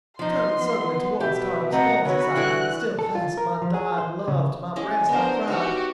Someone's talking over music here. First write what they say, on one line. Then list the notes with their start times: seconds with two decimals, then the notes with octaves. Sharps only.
Turning suddenly toward Tardos Mors as I still clasped my dying love to my breast I cried.
0.19 F3 D#4 C6
0.57 B3
1.20 B2 G4 B4 E5
1.72 A3 C4 D#5 F#5 A#5
2.05 F#3 B3 F#4 B4 C#5
2.35 D3 E3 G3 E4 F#6
2.99 A4
3.15 F4
3.37 A#4
3.62 F3
3.74 G#4
3.98 C5
4.28 C#3
4.76 G#3 C#4 E4
5.09 B3 D4 A#4 C5 D5
5.48 D#4 F#4 G4 C#5 F5